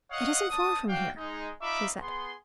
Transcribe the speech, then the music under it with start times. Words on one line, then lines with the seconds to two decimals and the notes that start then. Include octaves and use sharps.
"It isn't far from here," she said.
0.11 C#5 D#5 F5 F#5 D#6
0.50 D4 A5 D#6
0.88 D4 F#4 F5 G5
1.17 G#3 D#4
1.62 D#4 F4 E5 B5 D6
2.01 B3 G#4 C6